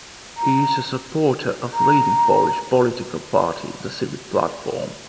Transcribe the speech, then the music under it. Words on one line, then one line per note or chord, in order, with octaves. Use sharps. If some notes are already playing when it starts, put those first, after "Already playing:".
He is a supporter of leading Polish political party, the Civic Platform.
A#5
A#5